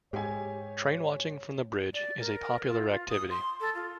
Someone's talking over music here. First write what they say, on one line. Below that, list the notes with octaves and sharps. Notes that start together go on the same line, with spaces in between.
Trainwatching from the bridge is a popular activity.
G#2 G4 C#5 G#5
D5
A#4
F4
F4
D#6
C6
A4
F4